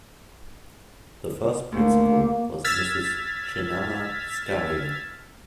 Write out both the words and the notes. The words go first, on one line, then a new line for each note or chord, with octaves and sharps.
The first principal was Mrs. Chinnamma Skaria.
D2 A#3
E6 F6 G#6 A6 B6